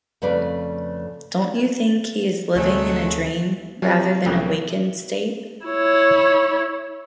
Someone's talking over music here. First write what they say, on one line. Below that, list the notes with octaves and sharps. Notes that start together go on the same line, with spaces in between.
Don't you think he is living in a dream rather than a wakened state?
F2 C#3 A3 B4 D5
D2 C3 F#3 G#3 A3
C3 F3 F#3 G4 C#5 A#5
C2 A2 C#3 B3
E4 C#5